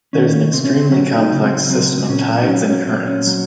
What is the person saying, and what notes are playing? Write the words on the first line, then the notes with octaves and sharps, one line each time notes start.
There is an extremely complex system of tides and currents.
D#3 C#4
C3 C4
C#4
C4
F#3 C#4
D#4
C#3
C4
F#3 C4
C4
A#2 C#4
D#4
F#3 C#4
C4
C#4
A#2 C4
C#4
F#3